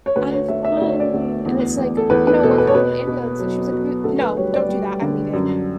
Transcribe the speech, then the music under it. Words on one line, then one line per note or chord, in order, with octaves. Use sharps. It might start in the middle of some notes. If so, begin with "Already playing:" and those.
I'm fine." and it's like, "No, we're calling an ambulance." and she was like, "N no, don't do that, I'm leaving."
C#5
D2 B4
C#5
D2 E5
E5
D2 D5
C#5
D5
D2
E2
E2
A4
E2 B4
B4
B2 A4
B4
C#5
B2 B4
B2
F#3
F#3
D2 A4
B4
G3 C#5
D5
G3
D3
F#2